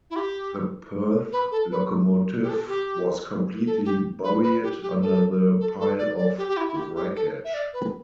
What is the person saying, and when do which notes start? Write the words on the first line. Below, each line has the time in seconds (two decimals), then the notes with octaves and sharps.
The Perth locomotive was completely buried under the pile of wreckage.
0.10 E4
0.17 G4
1.32 B4
1.51 A4
1.71 B4
2.43 G4
2.49 A4
2.68 G4
3.66 A4
3.85 G4
4.24 B4
4.43 B4
4.63 G4
4.82 G4
5.02 A4
5.60 A4
5.80 A4
5.98 D5
6.18 D5
6.38 G4
6.48 G4
6.57 E4
6.68 E4
6.76 G4
6.96 G4
7.16 A4
7.45 E5
7.54 D5
7.73 B4